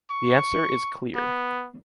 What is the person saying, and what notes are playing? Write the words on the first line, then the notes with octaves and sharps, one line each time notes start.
The answer is clear.
C#6
B3